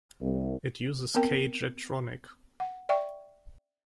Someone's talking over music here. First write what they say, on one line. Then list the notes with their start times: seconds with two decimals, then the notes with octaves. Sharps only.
It uses K-Jetronic.
0.21 C2
1.15 B3 C4 A#4 G5
2.60 F#5
2.89 D5 E5 G5 C#6